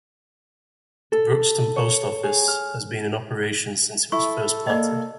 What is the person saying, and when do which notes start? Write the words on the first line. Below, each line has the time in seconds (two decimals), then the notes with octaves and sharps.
The Brookston post office has been in operation since it was first platted.
1.12 A4
1.76 C#5
2.23 G#4
2.48 F6
4.12 E4 A4 C#6
4.67 A#3 D5 D#5